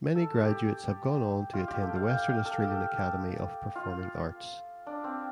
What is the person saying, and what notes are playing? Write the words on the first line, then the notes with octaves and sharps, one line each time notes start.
Many graduates have gone on to attend the Western Australian Academy of Performing Arts.
A4
G4
F4
G4
A4
F5
G5
F5
A4
G4
F4
D4
C4